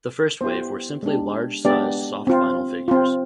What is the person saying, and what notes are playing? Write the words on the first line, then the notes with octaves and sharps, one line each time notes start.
The first wave were simply large-sized soft vinyl figures.
B3 E4 G4 C5
G#3 B3 D4 G4
G#3 B3 D4 G4 D5
C4 F4
C4 F4